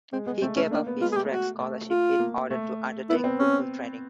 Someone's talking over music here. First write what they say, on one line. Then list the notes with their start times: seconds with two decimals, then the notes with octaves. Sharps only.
He gave up his track scholarship in order to undertake football training.
0.13 G#3 C4
0.26 G#3 B3
0.41 A3 C4
0.56 A3 C#4
0.71 A#3 D4
0.87 B3
1.01 G#3 F4
1.12 G#4
1.16 A3 G4
1.31 F#4
1.60 A3
1.90 F4
2.20 A#3
2.51 A3
3.09 B3 E4
3.24 C4
3.39 C#4